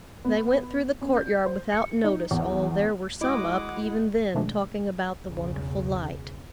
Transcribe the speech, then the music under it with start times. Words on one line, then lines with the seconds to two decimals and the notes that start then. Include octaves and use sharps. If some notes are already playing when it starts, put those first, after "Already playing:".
They went through the court-yard without notice, although there were some up even then talking about the wonderful light.
0.25 B3
1.01 C#4
1.17 G6
1.46 C5
1.72 C#7
2.04 D#4
2.31 E2
3.21 G#3 E4 F#4 D#5 F#5 D6
4.35 B2 D#3 F3 G#3 A3 D4
5.26 B1 E2 C#3